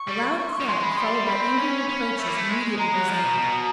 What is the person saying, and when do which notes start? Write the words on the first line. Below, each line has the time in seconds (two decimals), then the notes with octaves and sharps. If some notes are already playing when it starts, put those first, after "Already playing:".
A loud cry, followed by angry reproaches, immediately resounded.
Already playing: C#6
0.08 G3
0.38 C#6
0.49 C6
0.53 C#6
0.61 G3
0.68 G#3 C6
0.83 B5
0.98 G3 C6
1.27 C4 B5
1.58 C#4
1.89 C#4
2.18 A3
2.27 A#3
2.36 A3
2.49 G#3
2.78 G#3 A#5
2.93 F#3
3.08 F3
3.24 B2
3.38 B2